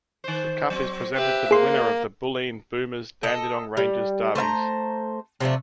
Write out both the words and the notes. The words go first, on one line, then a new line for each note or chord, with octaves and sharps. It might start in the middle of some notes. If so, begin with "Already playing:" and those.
The cup is presented to the winner of the Bulleen Boomers-Dandenong Rangers derbies.
D#3 C5
F#3 C4
C4 G4 B4 E5
A#3 G#4 C6
A4 D#5
G3
A3 C5 E5 A#5
C3 F3 A3 D4